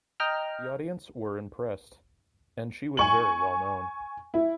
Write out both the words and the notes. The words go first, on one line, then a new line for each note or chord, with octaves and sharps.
The audience were impressed and she was very well known.
D#5 G5 A#5 F6
G#5 C#6 F#7
E4